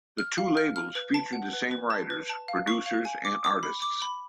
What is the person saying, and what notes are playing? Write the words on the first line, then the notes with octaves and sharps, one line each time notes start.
The two labels featured the same writers, producers and artists.
F6
F5
F6
F6
B4
A5
F#5
B4
B4
A5
B4
A5
F5
C#6
F5
G#5
D6
D6
B5
D6
B5